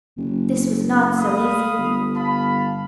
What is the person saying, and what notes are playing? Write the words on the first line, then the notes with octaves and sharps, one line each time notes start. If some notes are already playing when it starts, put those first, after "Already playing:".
This was not so easy.
F#1
F5 B5 D#6
G1
F5 A5 B5